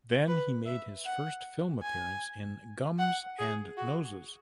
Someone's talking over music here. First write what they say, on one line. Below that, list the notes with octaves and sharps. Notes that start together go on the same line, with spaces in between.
Then he made his first film appearance in "Gums and Noses".
B4
E5
F#5
G#5
F#5
G#4
F#4